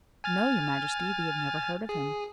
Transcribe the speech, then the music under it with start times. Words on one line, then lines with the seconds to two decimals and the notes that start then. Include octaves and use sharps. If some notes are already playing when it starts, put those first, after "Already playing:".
'No, your majesty, we have never heard of him.'
0.24 G#5 F6 A6
1.89 G#4